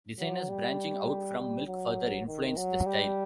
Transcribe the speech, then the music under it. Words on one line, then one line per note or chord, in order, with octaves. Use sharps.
Designers branching out from Milk further influenced the style.
F#3
G3
G3
F#3
D#3
F#3
G3